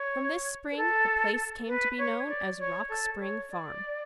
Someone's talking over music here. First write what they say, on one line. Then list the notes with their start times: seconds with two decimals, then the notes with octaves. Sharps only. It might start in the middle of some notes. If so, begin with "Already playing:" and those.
From this spring the place came to be known as "Rock Spring Farm."
Already playing: C#5
0.72 B4
0.77 A4
1.67 B4
1.98 C#5
2.28 D5
2.59 C#5
2.89 A4
3.20 C#5
3.50 D5